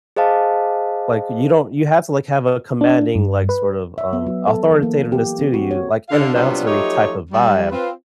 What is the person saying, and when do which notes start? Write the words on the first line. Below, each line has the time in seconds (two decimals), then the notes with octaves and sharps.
like, you don't you have to, like, have a commanding, like, sort of, um, authoritativeness to you, like, an announcery type of vibe
0.16 G#4 C5 D#5 F5 A5
2.81 D4
3.15 G2
3.49 B4
3.98 E5
4.13 B3
4.27 F#3
4.48 A4
4.71 E3
4.83 A#3
5.12 G4
5.39 C4
5.54 F#4
5.71 C#5
6.09 D3 F5
6.34 C3 F#3 G3 B3 D4 F4
6.67 F3 F#3 A3 D#4 G4 C#5
7.31 G3
7.70 C4 F4 B4